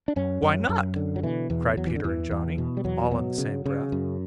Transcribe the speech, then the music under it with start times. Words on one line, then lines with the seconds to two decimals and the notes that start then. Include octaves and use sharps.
"Why not?" cried Peter and Johnny, all in the same breath.
0.08 D4
0.16 F#2 C#4
0.42 F#2
0.69 F#2
0.96 D3
1.16 F#3
1.23 B2 E3
1.50 E2 E3
1.77 E2 F#3
1.86 E3
1.96 D3
2.04 E2 E3
2.31 E2
2.58 B2
2.77 G3
2.85 E2 F#3
3.11 B2 F#3
3.38 C#3
3.66 C#3
3.92 F#2